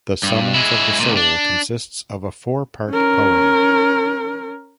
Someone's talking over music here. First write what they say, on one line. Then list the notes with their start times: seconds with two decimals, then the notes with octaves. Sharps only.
The "Summons of the Soul" consists of a four-part poem.
0.23 G2
0.54 G#3 E4
1.00 C#2 A#2
1.16 D4
2.89 C#4 A#4